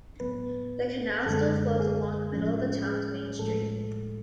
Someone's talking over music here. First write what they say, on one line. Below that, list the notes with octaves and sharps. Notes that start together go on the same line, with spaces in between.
The canal still flows along the middle of the town's main street.
A2 F#3 B3 B4
F#2 D3 G#3 A4
G#4
A2 F3 G#3 C#4
G#4
A2 F3 G#3 A4